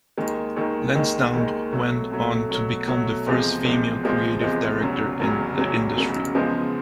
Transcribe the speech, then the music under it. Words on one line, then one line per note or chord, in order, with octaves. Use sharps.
Lansdowne went on to become the first female creative director in the industry.
D#2 D#3 G#3
D#2 D#3 G#3
D#2 D#3 G#3
D#2 D#3 G#3
B2 F#3 A3
B2 F#3 A3
B2 F#3 A3
B2 F#3 A3
E2 C3 F3 G#3
E2 C3 F3 G#3
E2 C3 F3 G#3
E2 C3 F3 G#3
F1 E2 C#3 F#3
F1 E2 C#3 F#3
F1 E2 C#3 F#3
F1 E2 C#3 F#3
E2 C#3 F3 G#3 B3